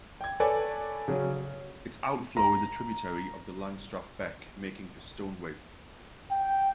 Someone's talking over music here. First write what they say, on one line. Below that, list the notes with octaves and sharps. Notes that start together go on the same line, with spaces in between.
Its outflow is a tributary of the Langstrath Beck, making for Stonethwaite.
G5 G#6
A4 B4 C#5 D5 G#5
C#3 F#3 C#4
A#5
G5